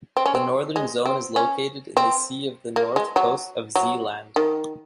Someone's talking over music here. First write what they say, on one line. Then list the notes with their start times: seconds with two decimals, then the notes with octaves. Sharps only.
The northern zone is located in the sea off the north coast of Zeeland.
0.17 C4
0.26 C#4
0.35 C4
0.76 G#3
1.06 C4
1.36 C#4
1.97 C4
2.76 A#3
2.96 G#3
3.16 F#3
3.75 F#3
4.36 D#3